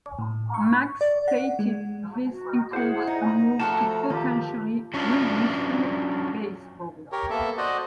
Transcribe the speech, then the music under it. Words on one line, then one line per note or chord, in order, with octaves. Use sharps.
Max stated this includes a move to potentially reissue Baseball.
A2
C#6
D5
F#5
G#3
F#4
E4 G#4 C5 F#5
D#4 A#5
F3 A3 F#4 A4 A5
D#3 F3 F4 G4 A4
F#3 C#4 D4 E4 F4 D5
G4 A#4 C#5
A#3 B3 A4 E5
F#4 C5 D5 D#5